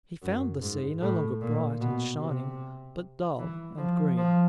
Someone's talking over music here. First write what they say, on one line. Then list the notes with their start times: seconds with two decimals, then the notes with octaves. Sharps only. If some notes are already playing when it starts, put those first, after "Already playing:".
He found the sea no longer bright and shining, but dull and green.
0.23 F#2
0.62 G#2
1.01 A2
1.41 A#2
1.81 B2
2.20 C3
3.39 E3
3.78 F3
4.17 F3